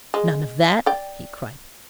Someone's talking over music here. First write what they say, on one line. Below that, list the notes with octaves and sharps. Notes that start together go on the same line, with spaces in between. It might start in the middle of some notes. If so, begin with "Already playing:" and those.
"None of that," he cried.
G#3
D5 G5